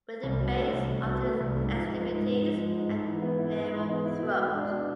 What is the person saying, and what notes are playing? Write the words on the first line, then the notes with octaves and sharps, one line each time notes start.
With the base of the extremities and narrow throat.
C2
B2
A3
C2
C2
B2
A3
C2
G#2
F3
G#3
G#2
G#2
F3
G#3
G#2
G#2
E3
B3
E4
G#2
E3
B3
E4
B2
G#3
D4
B2